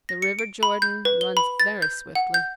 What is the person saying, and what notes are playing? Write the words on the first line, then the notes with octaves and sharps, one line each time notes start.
The River Jordan runs very swiftly.
A#6
C#7
D7
B5
G6
B4
G7
B5
A6
G6
F#5
G6